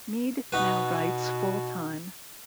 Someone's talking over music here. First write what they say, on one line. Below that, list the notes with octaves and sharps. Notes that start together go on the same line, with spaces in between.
Meade now writes full-time.
B2 D#4 F#4 B4